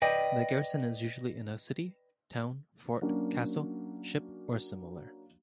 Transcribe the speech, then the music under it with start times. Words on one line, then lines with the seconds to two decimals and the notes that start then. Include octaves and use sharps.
The garrison is usually in a city, town, fort, castle, ship or similar.
0.02 B4 D5 D#5 G5
3.01 F#3 A#3 C#4 D4 F#4